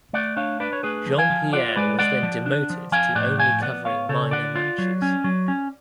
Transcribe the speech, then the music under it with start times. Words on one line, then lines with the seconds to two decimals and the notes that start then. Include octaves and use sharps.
Jeanpierre was then demoted to only covering minor matches.
0.13 A3 D5 F#5
0.37 D4 C#5 F5
0.60 D4 B4 D5
0.73 C#5
0.83 A3 G#4 B4
1.06 F3
1.18 F5 G#5
1.30 F3
1.53 F4 D5 F#5
1.76 G#3 B4 D5
1.99 G#3 D5 F#5
2.23 F3
2.46 D4
2.70 F3
2.92 F3 F5 G#5
3.15 A2 D5 F#5
3.38 F3 F5 G#5
3.62 B3 D5 F#5
3.85 B3 C#5 F5
4.09 C#3 A4 C#5
4.31 D3 D5 F#5
4.56 F4
4.78 F#3
5.02 C#4
5.24 F#3
5.48 C#4